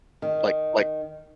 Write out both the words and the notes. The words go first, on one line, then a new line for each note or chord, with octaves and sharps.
Like like,
D#3